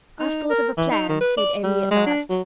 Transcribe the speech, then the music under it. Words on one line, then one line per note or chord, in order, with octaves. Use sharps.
"I've thought of a plan," said Emmy at last.
D#4
A#4
E3
D#4
D#3
B4
D5
G3
G#3
D4
F#3